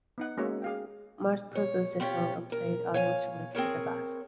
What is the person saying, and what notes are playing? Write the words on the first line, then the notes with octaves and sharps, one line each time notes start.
Mars produced the song and played all the instruments but the bass.
B3 D#4 F#5
G#3 A#3 C#4 F#4 C#5 E5
G#4 F5 G5
C#5
C4 C#4 F4 G4 C#5
A#4
C#5 F5 G#5
C4 G#4 A#4 C#5